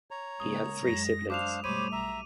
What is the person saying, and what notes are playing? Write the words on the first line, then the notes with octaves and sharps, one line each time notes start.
He had three siblings.
C#5 A#5
C#3 G#3 A#3 D#6
F#2 F#3 G#3 A#6
D4 C5 F5 D6 E7 F7
B2 G3 A3 C5 C#5 B5 D6 D#7
B1 E5 A#5